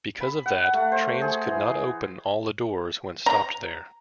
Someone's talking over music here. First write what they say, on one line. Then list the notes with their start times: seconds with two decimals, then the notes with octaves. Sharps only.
Because of that, trains could not open all the doors when stopped there.
0.21 B5
0.46 F#5
0.73 A3
0.92 C5
1.21 G#4
1.46 E3
3.26 A#5